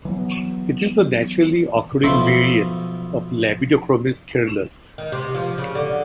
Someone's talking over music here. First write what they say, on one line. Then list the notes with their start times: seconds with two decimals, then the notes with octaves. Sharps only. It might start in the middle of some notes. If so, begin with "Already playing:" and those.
It is a naturally occurring variant of "Labidochromis caeruleus".
0.05 E3 F#3 B3
2.03 B1 B2 F3 C5 E5 B5
4.98 D#3
5.12 C3
5.35 F3
5.58 C#3
5.75 D3